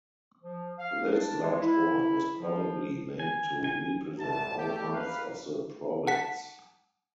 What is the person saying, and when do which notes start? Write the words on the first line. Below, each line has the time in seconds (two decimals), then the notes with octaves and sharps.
This large board was probably meant to represent all parts of the province.
0.42 F3
0.78 F5
1.12 D4
1.41 G#3
1.60 E4
2.39 F3
3.20 G#5
3.64 G#5
4.19 C2 F2 G#2 A5
4.57 A3 G4
4.93 A#3 B4 F5
6.07 F#5 A5 B6